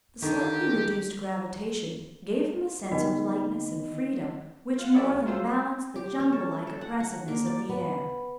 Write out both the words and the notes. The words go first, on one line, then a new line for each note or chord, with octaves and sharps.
The slightly reduced gravitation gave them a sense of lightness and freedom which more than balanced the junglelike oppressiveness of the air.
D3 D#3 G4
D3 B3 D#4 D#5
F4 F#5
F#3 B3 C#4 E4 A4 D5
C2
F#3 F4 C5 E6
G4
C#4
A4
A4
F#5
F#5
A#3
D5
B3